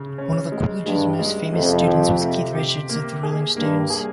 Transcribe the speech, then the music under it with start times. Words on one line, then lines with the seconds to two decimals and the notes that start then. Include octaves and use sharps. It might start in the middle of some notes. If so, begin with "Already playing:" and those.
One of the college's most famous students was Keith Richards of The Rolling Stones.
Already playing: C#3
0.18 C#4
0.52 G#3
0.86 G2 G#3
1.19 G#3
1.53 F2 C3
1.87 G4
2.21 C3
2.55 G4
2.89 A#3
3.23 G#4
3.57 G2 A#3
3.90 G#4